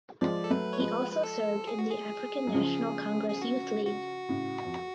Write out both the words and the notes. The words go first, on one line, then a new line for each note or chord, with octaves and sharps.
He also served in the African National Congress Youth League.
F3 G#3 D5
A4
F#3 A3 B4
C#5
F3 G#3 B4
B4
A4
G#4
F#4
G#4
F#3
C#3 F3
G#4
F#4
F#4
A2 C#3
F2